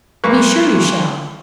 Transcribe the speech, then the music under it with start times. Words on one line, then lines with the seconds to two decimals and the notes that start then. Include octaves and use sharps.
"To be sure you shall."
0.24 B1 A#3 B4 C#6